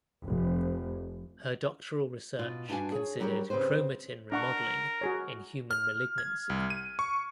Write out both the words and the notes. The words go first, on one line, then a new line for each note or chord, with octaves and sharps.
Her doctoral research considered chromatin remodeling in human malignancy.
F1
B2 F4
G2 D4 F#4 F5 G#5
G#4 C#5
F#3 G3 F#4 G4 A4 A#4
C#3 C4 G4 B4 C5
D4 A#4 F#5 C#6
F#4 G#4 C#5
F6
G#6
C2
D#7
C#6